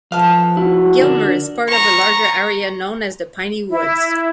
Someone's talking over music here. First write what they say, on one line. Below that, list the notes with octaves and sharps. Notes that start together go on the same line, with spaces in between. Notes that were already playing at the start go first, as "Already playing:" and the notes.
Gilmer is part of a larger area known as the "Piney Woods".
F3 A4 B4 F5
E4 F#4
D3 D4 A#4
A#5 C#6
E4